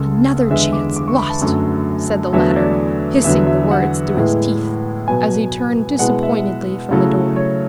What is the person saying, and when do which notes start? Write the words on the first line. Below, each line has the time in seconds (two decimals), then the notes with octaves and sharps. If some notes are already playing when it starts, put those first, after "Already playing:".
"Another chance lost!" said the latter, hissing the words through his teeth, as he turned disappointedly from the door.
Already playing: C#2 C#3 G#3 A4
0.50 E2 D3 G#3 E5
0.73 D6
0.96 D6
1.08 C#6
1.18 B5
1.30 A5
1.41 F#2 D3 F#3 A3
2.33 E2 D3 F#3 A3 E5
2.56 D5
3.24 E2 D3 F#3 E5
3.47 E5
3.71 F#5
4.17 A2 G#3 B3 E4
5.08 B2 F#3 B3 G#5
5.99 B2 G#3 B3 E4 F#5
6.23 E5
6.91 C#3 F#3 A3 E4
7.36 C#5